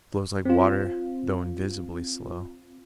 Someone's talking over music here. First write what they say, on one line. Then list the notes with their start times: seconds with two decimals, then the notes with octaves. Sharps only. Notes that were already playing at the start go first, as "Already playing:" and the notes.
"It flows like water, though invisibly slow."
0.45 C4 F4